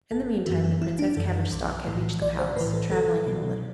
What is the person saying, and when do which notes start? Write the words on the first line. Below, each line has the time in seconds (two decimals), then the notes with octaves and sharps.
In the meantime the Princess Cabbage-Stalk had reached the palace, travelling in a litter.
0.11 G1 A4
0.46 F#2 E3 F#4
0.64 E4
0.82 G1 E4
0.99 D4
1.17 F#2 E3 A4
1.52 B1
1.87 A2 E3
2.22 B1 D5
2.39 C5
2.56 A2 B4
2.61 E3
2.73 A4
2.91 C2 A4
3.27 B2 F#3